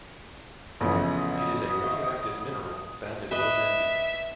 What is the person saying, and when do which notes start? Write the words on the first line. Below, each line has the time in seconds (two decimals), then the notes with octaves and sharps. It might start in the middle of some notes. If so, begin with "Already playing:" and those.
It is a radioactive mineral found in Mozambique.
0.81 A1 F2 C#3 B3 E4 D#6
1.84 D#5 E5 C#6
3.31 B4 D#5 E5